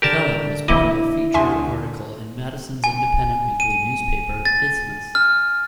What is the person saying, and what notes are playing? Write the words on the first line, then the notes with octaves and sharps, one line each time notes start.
Thelen was part of a feature article in Madison's independent weekly newspaper, "Isthmus".
D3 G4 A4 A#4 A5
E3 A#3 E4 D#5 D6
D2 E5 G#5 C6
G#5
D#7
A6
F6